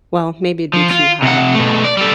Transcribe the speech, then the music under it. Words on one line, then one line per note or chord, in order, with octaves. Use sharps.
well, maybe it'd be too hot,
F3
F4
C3 F#5
B2 A3
D5
G3 A4